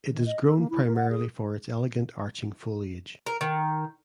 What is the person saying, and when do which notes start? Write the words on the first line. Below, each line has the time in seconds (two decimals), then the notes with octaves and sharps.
It is grown primarily for its elegant arching foliage.
0.11 D#3
0.26 D#5
0.44 A4
0.57 A#3
0.70 E4
0.84 A#4
0.96 F#5
1.09 G#4
3.26 A#4
3.41 D#3